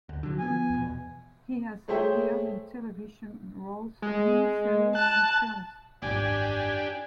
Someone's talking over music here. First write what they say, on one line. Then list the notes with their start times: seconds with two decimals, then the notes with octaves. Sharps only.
He has appeared in television roles, mini-series and films.
0.09 D2
0.23 D3 F#3
0.39 F3 G#3 B3 G#5
0.74 E2 B2
1.88 A3 G#4 C5 C#5 E5 G5
4.02 G#3
4.95 A5 F#6
6.02 G#1 F#2 D4 G4 G#5